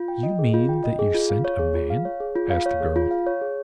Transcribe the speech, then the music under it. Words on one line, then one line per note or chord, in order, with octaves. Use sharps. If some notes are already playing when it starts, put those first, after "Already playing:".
"You mean that you scent a man?" asked the girl.
Already playing: F4
G5
D#5
G#4
F4
G5
D#5
G#4
F4
F5
C#5
G#4
F4
F5
C#5
G#4
F4
F5
C#5
G#4
F4
F5
C#5
G#4